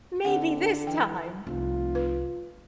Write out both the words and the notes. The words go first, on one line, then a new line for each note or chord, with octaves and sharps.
"Maybe this time."
D3 C4 F#5
E3 G5
F1 C2 F4
B4